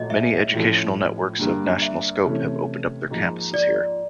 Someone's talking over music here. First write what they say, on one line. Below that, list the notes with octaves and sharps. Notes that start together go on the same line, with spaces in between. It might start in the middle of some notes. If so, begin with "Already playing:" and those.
Many educational networks of national scope have opened up their campuses here.
Already playing: A#2 F#3 A3 C#5 D#5
E5
A2 F3 A3 C#4
G2 D3 G3 A#3
E5
C3 E3 A3 C#4
G#2 F3 A#3 D#4
D5